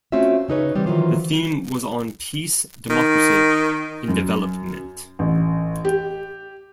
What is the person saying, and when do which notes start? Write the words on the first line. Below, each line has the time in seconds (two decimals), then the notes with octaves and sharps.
The theme was on peace, democracy, and development.
0.12 A3 C4 C#4 F4 F#4 E5
0.48 C#3 D#4 B4 C#5
0.75 E3 G3 C4
0.86 D#3 E3 F#3 F4 C5
2.90 D#3
4.08 F#2
5.19 A1
5.85 G4